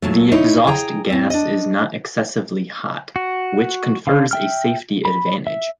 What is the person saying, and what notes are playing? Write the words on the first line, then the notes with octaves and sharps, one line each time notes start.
The exhaust gas is not excessively hot, which confers a safety advantage.
A#2 F#3 A3
D#4 E4 C#5
G#4 G5 A#5
A2 C4
D4 D#5
F#4
D3 F5
E5 G5 F6
B5
E5